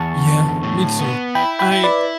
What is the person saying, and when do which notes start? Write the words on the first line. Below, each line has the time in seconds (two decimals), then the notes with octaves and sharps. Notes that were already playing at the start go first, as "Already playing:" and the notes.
Yeah, me too. I
Already playing: E2 A5 C#6
0.27 D3
0.63 A2
0.99 B3
1.35 E4 G5 B5
1.59 G5 B5
1.71 E4
1.84 B4 D5